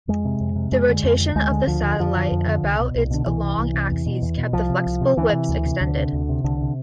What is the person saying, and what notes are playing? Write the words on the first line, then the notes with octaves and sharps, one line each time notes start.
The rotation of the satellite about its long axis kept the flexible whips extended.
F2 G#3
C3
F2
C3
F2 G#3
D3
F2
D3
D2 G#3
D3
D2 F3
D3
F2 F3
D3
F2
D3
C2
B2
C2
B2 D3
C2 E3
C3
C2
C3
E2
B2
E2
B2
C2 F3
C3
C2
C3
D2 E3
C3
D2
C3
D2 D3
C3
D2
C3
C2 D3
C3